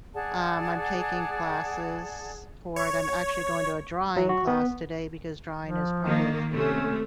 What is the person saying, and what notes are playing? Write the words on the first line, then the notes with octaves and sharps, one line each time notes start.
Um, I'm taking classes for it. I'm actually going to a drawing class today because drawing is part of
G#4 D5 F#5 A5
C#5
F#3
F#4
B3
F3
D#3 A#3
C3 A3 C#4